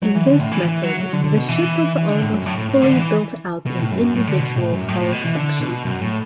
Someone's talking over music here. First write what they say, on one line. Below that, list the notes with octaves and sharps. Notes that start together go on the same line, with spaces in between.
In this method, the ship was almost fully built out in individual hull sections.
F#3
E3
D3
A2
E3
E3
F#3
F#3
D3
D3
B2
E3
E3
D3
A2
F#2
A2
A2
A2
D3
E3
B2
A2
F#2
A2
D3
B2
A2
F#2
A2
A2
B2
E3
D3
B2
F#2
A2